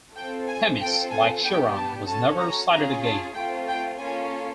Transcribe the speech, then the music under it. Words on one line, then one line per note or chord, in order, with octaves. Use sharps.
Themis, like Chiron, was never sighted again.
C4 F4 A4 G5
G#5
C4 F4 A4 G5
G#5
B3 D4 G4 G5
A5
C#4 F#4 A4 A5
A#5
C#4 F4 G#4 A#5
A5
A3 C4 F4 G5
G5
A#3 C#4 F4 A4 G#5